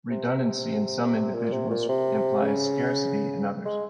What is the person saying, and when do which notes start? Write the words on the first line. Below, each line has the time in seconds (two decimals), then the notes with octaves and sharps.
Redundancy in some individuals implies scarcity in others.
0.10 C3
1.35 A#2
1.53 C3
1.70 A#2
1.89 C3
2.42 C#3
3.65 G#3